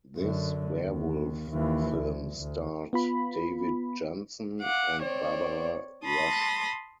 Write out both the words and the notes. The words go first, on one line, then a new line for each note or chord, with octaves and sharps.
This werewolf film starred David Janssen and Barbara Rush.
F#2 D3
D#2
D#2 E3
D2
D2
B3 F4 B5
F5 F#5 D6
C4 C#5 D5
A5 B5 C6 D#6 A#6